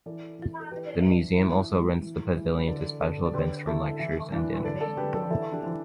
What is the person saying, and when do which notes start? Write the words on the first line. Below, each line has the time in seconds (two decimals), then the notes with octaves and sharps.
The museum also rents the pavilion to special events from lectures to dinners.
0.06 E3 A4 D5
0.39 E3
0.60 A4
0.71 E3 G4 B4
0.98 E4
1.04 E3 D4
1.37 E3 E4
1.70 E3
2.02 E3
2.35 E3
2.64 B4
2.68 D3 A4 D5
3.01 D3 A4 D5
3.26 D5
3.34 D3 G4 B4
3.67 D3 E4 A4
3.99 E3 E4
4.32 E3 D4
4.59 B4
4.65 D3 A4 D5
4.81 A4 D5
4.97 D3 G4 B4
5.14 A4 D5
5.31 E3 E4 A4
5.52 D4 G4
5.63 E3